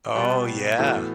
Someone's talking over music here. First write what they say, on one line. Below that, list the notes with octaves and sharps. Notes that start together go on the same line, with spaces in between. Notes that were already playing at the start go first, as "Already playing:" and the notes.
Oh, yeah.
B2 G3 B3
A2 E3 B3 F#4 A4